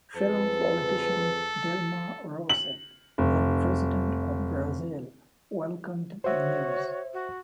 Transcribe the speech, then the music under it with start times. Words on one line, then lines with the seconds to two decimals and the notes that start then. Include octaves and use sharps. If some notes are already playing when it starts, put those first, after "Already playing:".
Fellow politician Dilma Rousseff, then president of Brazil, welcomed the news.
0.16 F2 G#4 A4 B4
2.49 F#7
3.18 F1
6.24 F#4 C5 C#5 E5
7.13 F#4